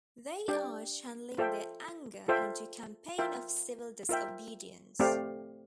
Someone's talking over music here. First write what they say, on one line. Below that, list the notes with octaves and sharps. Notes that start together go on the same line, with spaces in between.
They are channelling their anger into a campaign of civil disobedience.
D4 G4 D5 G5
F4 A4 C5 E5 G5
F4 A4 C5 E5 G5
F4 A#4 E5 G5
F4 A#4 E5 G5
A3 C4 G4 D5 F5